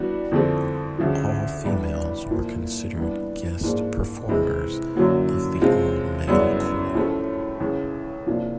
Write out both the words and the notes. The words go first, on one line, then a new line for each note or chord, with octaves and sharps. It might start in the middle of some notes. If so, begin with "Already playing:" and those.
All females were considered "guest performers" of the all-male corps.
Already playing: E3 G3 B3 D4 F#4
F2 D3 F3 A3 C4
D2 C#3 F3
A2 E3 G3 B3 D4
A#2 F3 A#3
E3 G3 B3 D4
G#2 F3 A#3 D4
C3 E3 G#3 C4 E4
F#2 D3 F#3 A#3
C3 F3 G#3 C4 F4
F#2 C#3 E3 G3 B3
A2 F3 A3 C#4
C#2 C#3 E3
C3 F3 A#3 D4 F4